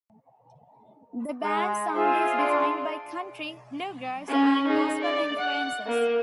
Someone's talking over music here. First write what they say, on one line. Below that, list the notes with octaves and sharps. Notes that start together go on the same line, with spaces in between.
The band's sound is defined by country, bluegrass and gospel influences.
G#3
F4 G#4 C5 E5
D4 C6
C#4
D#4 G#4
D5
F#5
A#3